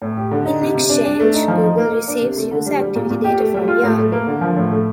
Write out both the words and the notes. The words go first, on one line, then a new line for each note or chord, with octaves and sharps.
In exchange, Google receives user activity data from Yahoo!
A2
G4
D3
D#4
C3
C3
D4
D4
A3
D#4
F3
D#4
A#3
A#3
D4
C3
A3
D3
G3
G3
A#2
A#2
G4
A3
G3
F4
A2
A3
A#3
D3
F3
A2
A3